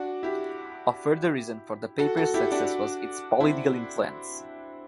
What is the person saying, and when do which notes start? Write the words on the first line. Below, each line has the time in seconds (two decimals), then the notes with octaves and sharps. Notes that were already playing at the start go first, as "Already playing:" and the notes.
A further reason for the paper's success was its political influence.
Already playing: D4 F#4
0.23 E4 G4
1.99 F#4 A4
2.17 F#4 A4
2.34 E4 G4
2.52 D4 F#4
3.40 C4 E4